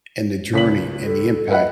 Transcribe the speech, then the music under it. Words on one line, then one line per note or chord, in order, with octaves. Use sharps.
in the journey and the impact
C#2 B6 F#7
A4
B4 D#5 E5 F#5